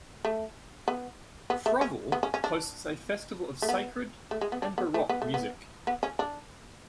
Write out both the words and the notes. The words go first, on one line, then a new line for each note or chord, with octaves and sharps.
Froville hosts a festival of sacred and baroque music.
A3
B3
B3
A3
C#4
B3
C#4
C#4
D4
A3
B3
A3
G#3
B3
D4
B3
A3
B3
A3
B3
B3
C#4
D4